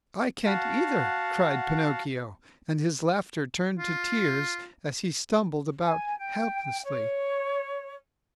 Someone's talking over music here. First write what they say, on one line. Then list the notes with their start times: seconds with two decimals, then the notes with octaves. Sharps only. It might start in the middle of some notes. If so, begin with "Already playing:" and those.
"I can't either," cried Pinocchio; and his laughter turned to tears as he stumbled about helplessly.
0.46 F#4 F5 F#5 A5
3.79 F4
5.85 G#5
6.18 G5
6.85 C#5